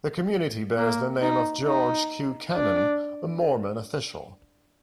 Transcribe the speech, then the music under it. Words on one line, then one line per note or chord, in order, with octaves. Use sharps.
The community bears the name of George Q. Cannon, a Mormon official.
A#3
D#4
D#4
D4